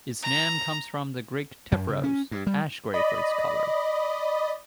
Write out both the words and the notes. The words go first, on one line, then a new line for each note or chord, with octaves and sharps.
Its name comes from the Greek "tephros", "ash gray", for its color.
A#5
F#2
C#3
C#4
G2
G3
D5 D#5 B5